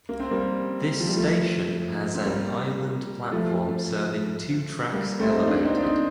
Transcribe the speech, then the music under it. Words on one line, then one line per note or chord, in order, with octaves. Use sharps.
This station has an island platform serving two tracks elevated.
A#3
C4
G3 A#3
F3
G3
F3 A3
C4
G3 A#3
F3 A3
G3 A#3
A3 C4
D#4
A#3 D4
C4 D#4
D4
C4 D#4